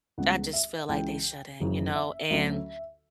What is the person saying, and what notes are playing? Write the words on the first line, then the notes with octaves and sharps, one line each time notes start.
I just feel like they shouldn't, you know, and
C#2 C#3 G3 B3 F#5
E5
C#2 C#3 E3 G5
F#1 F#2 C#3 E3
E5
D2 D3 F#3 C#4 E5